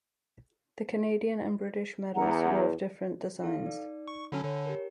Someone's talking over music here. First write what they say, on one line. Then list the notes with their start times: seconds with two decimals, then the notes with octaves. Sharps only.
The Canadian and British medals were of different designs.
2.15 E2 F#5 A#5
3.42 D#4 A4 F5
3.66 D#4 D5
4.08 C#6
4.32 D3 F#3 C#4 G#5 A5 B5
4.44 D3 C#5
4.66 G4 A#4